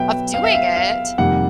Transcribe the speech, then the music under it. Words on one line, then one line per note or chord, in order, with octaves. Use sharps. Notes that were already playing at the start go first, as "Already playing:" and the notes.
of doing it.
Already playing: B2 F#3 B3 E5 G5
F5
E5
F5
F5
F2 C3 D#3 G3 A#3 F#5